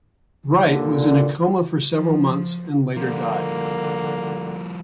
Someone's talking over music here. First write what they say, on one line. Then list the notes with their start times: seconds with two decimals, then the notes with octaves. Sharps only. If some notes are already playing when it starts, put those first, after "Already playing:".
Wright was in a coma for several months and later died.
0.64 D#2 A#2 D3
1.94 F3
2.96 D3 F3 G3 A#3